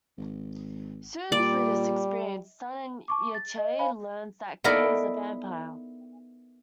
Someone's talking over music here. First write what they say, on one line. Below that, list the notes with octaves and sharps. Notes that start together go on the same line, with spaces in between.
Soon, through this experience, Son and Yi-Che learn that Kei is a vampire.
G#1
A#2 G3 D5
A5 C#6 D6
A6
D#5
C5 F5 G#5 B5
B3 D#4 E4 A4 A#4 D5